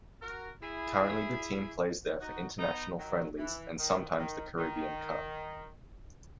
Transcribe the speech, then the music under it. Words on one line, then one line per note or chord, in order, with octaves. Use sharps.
Currently the team plays there for international friendlies and sometimes the Caribbean Cup.
F#4 A#4
E4 G#4
D#4 F#4
B3 D#4
D#3 F#3
E3
D#3
D#3
D#3